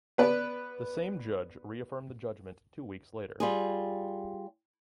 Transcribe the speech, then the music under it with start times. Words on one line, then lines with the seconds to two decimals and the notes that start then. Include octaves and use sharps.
The same judge reaffirmed the judgment two weeks later.
0.18 B3 B4 D5
3.40 G3 F4 G#4